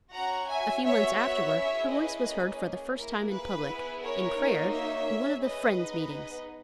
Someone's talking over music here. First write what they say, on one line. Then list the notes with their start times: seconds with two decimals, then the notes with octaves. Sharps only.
A few months afterwards her voice was heard for the first time in public, in prayer, in one of the Friends' meetings.
0.13 C#4 F#4 F#5 A#5
0.49 E5 G#5
0.85 B3 F#4 C#5 E5
1.19 C#5 E5
1.54 C#4 E4 G#4
1.90 B4 D#5
2.25 A#3 C#4 G#4
2.96 A#3 E4 G#4 A#4
3.31 B4
3.66 B3 E4 G#4
4.02 A#4 C#5
4.37 A#3 D#4 F#4
4.72 C#5 E5
5.07 C#4 G#4
5.42 B4 D#5
5.78 B3 D#4 G#4